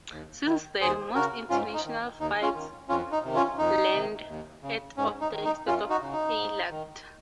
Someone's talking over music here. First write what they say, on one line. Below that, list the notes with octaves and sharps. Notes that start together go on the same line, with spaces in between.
Since then, most international flights land at Ovda instead of Eilat.
D#2
D#3
D#2 G#4 C5
C#3 F#4 A#4
G#2 C#4 F4
D#4
D#3
D#2 D#4
C#4 F4
D#3
F2 C#4 F4
D#4
C3 D#3
C#4 F4
F2 D#4
C3 D#3
D#2
C#3
G#2 C#4
D#4
D#3
D#4
F#2 C#4 F4
D#4 F#4
C#3
D#4
G#2
D#3